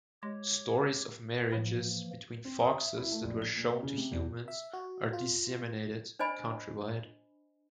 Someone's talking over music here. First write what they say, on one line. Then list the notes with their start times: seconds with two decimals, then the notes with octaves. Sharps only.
Stories of marriages between foxes that were shown to humans are disseminated country-wide.
0.23 G#3 G4 C#5
1.52 A2 E3 F3 A#3
2.45 C4
2.61 D#6
2.81 E5
2.98 E4
3.12 A3
3.24 A#1
3.42 G7
3.56 A#2
3.83 C#3
3.97 C3
4.11 E2
4.48 E5
4.73 F#4
5.13 F4
6.19 D4 C5 D#5 G#5 B5